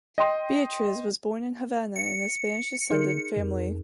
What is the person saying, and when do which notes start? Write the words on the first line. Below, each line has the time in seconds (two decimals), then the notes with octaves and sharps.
Beatriz was born in Havana in a Spanish-descendent family.
0.18 D#5 G5 C6
1.96 C#7
2.91 D3 D#4 G#4 A#4
3.37 F2